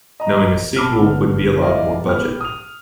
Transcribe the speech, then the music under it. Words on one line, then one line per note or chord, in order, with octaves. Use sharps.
Knowing a sequel, would be allowed more budget.
D#5 A#5
A5 B5 D6 E6 F6
D3 B3
E4 G4 D5 D#5 F5
B3 G4 F6
D#6 F7